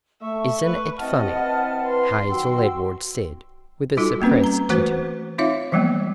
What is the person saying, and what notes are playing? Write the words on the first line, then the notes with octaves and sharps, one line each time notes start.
"Isn't it funny!" Hazel Edwards said with a suppressed titter.
A3 E5 C#6
B4
C4 E4 G4 D#5 F#5 A5 F6
C4 E4 B4
C6
D#3 F#3 F#4 G5 E6
G3 D#4 F4 F#4 A4
G3 A#3 C4 C#4 B4
A#5
E3 A3 F#4 B4 C5
C4 D#4 F4 C#5 E5 F5
E3 F3 G3 G#3 A#3 B3